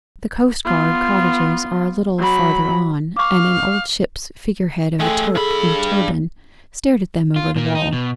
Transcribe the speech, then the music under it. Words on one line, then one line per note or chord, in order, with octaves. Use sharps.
The Coastguard cottages are a little farther on, and an old ship's figurehead of a Turk in a turban stared at them over the wall.
B3 F4
F#3 B5
F5 C#6 D6
A3 G#4 A4 G5
G2 G#4 B5
F4
A#2 A#3
D#4
B2